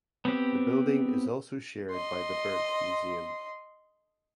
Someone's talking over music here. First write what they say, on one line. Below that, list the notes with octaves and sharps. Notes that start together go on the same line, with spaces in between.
The building is also shared by the Berndt Museum.
B3 C4 G4
D#5 C6